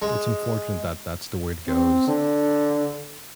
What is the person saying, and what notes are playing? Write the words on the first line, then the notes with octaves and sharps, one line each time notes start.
It's unfortunate that that's the way it goes.
G#3
C4
D3